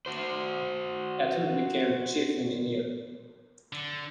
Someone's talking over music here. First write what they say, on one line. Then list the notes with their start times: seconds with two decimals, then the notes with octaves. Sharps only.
Atwood became chief engineer.
0.06 F#4 C5
3.73 D3